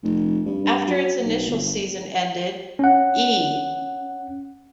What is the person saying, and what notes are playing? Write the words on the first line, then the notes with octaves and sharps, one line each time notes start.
After its initial season ended, E!
F1
G2
G2
F#3
B1
G1
C#4 F#5